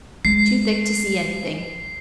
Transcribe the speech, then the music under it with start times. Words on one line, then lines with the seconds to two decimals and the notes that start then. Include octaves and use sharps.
Too thick to see anything.
0.25 G#3 C7